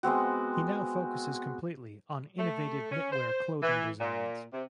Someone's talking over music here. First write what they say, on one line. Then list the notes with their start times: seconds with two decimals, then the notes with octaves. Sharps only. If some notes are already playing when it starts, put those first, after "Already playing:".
He now focuses completely on innovative knitwear clothing designs.
0.03 G#3 B3 C4 F#4
2.39 A3
2.92 C#4
3.12 C5
3.63 E3
4.00 A#2
4.53 C3